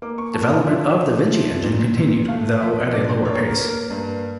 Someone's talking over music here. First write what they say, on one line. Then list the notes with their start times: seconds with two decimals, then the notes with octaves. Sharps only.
Development of the Vinci engine continued, though at a lower pace.
0.02 A#3 D6
0.18 C#6
0.34 F3 A5
0.50 F5
0.66 F3 E5
0.99 F3
1.31 F3
1.64 A#2
1.96 A#2
2.28 A3 F5
2.61 F3 E5
2.93 D4 D5
3.25 A#3 C#5
3.48 A#4
3.58 A#3
3.69 A#4
3.90 G2